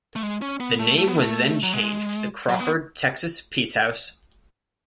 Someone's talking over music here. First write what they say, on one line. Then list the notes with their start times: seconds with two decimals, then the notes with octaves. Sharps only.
The name was then changed to the Crawford Texas Peace House.
0.16 A3
0.23 G#3
0.42 C#4
0.60 B3
0.79 A3
0.98 A3
1.08 B3
1.18 A3
1.63 F#3
1.73 G#3
2.49 F#3
2.60 B3